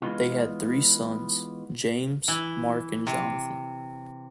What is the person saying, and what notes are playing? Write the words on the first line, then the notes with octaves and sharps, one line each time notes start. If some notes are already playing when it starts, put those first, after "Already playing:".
They had three sons: James, Mark and Jonathan.
E3 G3 G#3 B3 D#4 F4
E3
C3